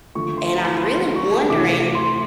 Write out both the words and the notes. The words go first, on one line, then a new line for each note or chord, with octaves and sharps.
and I'm really wondering,
D3 F3 A3 C#6
C6
A#5
B5
C6
C#6
C3 E3 A3 D6
C6